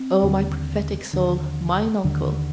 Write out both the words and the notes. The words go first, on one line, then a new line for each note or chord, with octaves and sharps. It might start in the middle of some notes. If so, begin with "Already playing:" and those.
"Oh, my prophetic soul, mine uncle."
Already playing: C4
D#2 D3
D#2 D3
D#2 D3